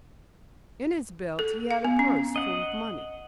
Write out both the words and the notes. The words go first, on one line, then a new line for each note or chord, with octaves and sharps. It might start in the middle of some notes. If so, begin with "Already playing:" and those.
In his belt he had a purse full of money.
A4
F5
B3
C#4
D#5 F#5